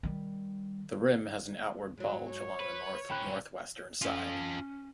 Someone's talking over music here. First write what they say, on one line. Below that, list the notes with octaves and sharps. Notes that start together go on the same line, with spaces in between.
The rim has an outward bulge along the north-northwestern side.
D#3 G3
G#2 F#3
C#5
B4 C5
A#2 C#4 G5 B5 F#6
C#4 F4 A4